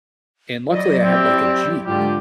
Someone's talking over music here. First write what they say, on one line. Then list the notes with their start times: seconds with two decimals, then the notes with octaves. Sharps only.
and luckily I had, like, a Jeep
0.69 F#3 E4 D5 D#5
1.03 F#3 C4 E4 G4
1.86 G#2 D3 G#3 F4 G4